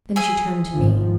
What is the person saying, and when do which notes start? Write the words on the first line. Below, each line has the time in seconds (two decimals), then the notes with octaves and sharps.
Then she turned to me.
0.16 G#4 E5 G#5
0.72 G#1 F3